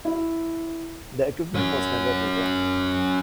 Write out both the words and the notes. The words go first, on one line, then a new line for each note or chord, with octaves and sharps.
The equipment was never returned.
E4
C#4 F#4